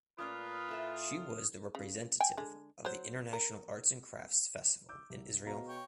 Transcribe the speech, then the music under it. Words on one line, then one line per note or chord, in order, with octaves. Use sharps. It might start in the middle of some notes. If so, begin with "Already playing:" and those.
She was the representative of the International Arts and Crafts Festival in Israel.
A#2 A3 C#4 F4 B4 D5 D#6 F6
E4 A4 E5
C#3
G5 G#5
D3 G#3
F#3 C5
A#4
D6 E6 G6
C2
B2 F5 A#5
C#5 G5